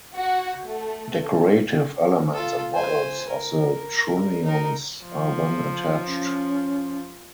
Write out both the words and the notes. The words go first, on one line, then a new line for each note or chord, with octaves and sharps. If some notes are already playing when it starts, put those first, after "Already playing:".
Decorative elements and models of the trunnions are then attached.
F#4
A3
F4 A4
C5 G#5
A#4
D#4 A#4
F3
C#4